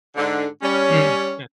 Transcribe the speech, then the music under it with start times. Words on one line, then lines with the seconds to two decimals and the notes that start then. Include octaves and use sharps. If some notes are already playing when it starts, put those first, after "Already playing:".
Mm. Yeah.
0.15 G#2 D3
0.62 G3 C#4